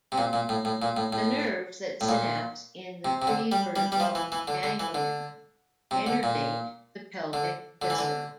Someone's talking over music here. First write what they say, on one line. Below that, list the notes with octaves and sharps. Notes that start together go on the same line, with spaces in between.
The nerves that synapse in the prevertebral ganglia innervate the pelvic viscera.
C3
A#2
A#2
A2
A2
A#2
A2
A2
A2
A#2
C3
C3
D3
G3
G3
G3
F3
E3
E3
D3
D3
E3
D3
C3
D3
A#2
D3
D3
E3
D3